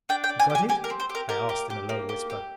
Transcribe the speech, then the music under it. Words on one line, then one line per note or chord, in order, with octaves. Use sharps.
"You got it?" I asked in a low whisper.
D4 G5
G5
D4
G#5
G4
G#5
G4 G#5
A#4
C4
C5
G4
A#4
G4 A#4
G4
G4
A#3
G4
G4